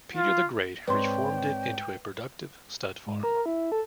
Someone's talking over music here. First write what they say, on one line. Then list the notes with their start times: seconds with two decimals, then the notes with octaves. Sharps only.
Peter the Great reformed it into a productive stud farm.
0.16 F4
0.87 G#2 C4 B4 C#5 D5 G5 C6
3.06 G#2
3.23 A#4
3.46 E4
3.72 A4